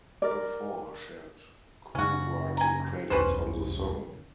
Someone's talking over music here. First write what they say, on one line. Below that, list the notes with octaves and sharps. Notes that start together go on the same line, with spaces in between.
All four shared co-writing credits on the song.
A#4 D5
F#2 C#3 C#4 F#4
G#5 A#5
E1 B1 F#2 C#4 B4 C5